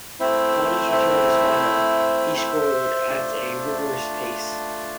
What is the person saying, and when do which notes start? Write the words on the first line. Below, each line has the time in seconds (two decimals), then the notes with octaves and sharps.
Upon his return to Sparta, he scored at a rigorous pace.
0.20 A3 C4 E4 C5 E5
0.92 C5 E5
2.37 C5 E5
3.09 A3 D4 F4